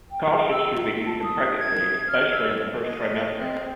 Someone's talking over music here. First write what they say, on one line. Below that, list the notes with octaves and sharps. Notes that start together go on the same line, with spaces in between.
Caution should be used in pregnancy, especially in the first trimester.
G5
G#4
E6
F4
A5
D#6
G#6
F6
E6
D#5
C4